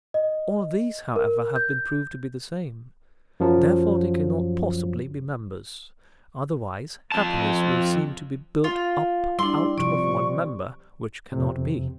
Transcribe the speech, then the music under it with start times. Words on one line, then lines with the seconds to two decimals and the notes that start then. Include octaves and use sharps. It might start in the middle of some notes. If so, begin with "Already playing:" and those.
All these, however, have been proved to be the same; therefore they cannot possibly be members, otherwise happiness will seem to be built up out of one member, which cannot be.'
0.14 D#5
1.16 A#4
1.56 G6
3.40 F#2 F3 F#3
7.12 F2 A5
8.64 F4
9.39 G3 D4 E4 C6
9.78 C3 F3 D5 C#6
11.32 F2 C3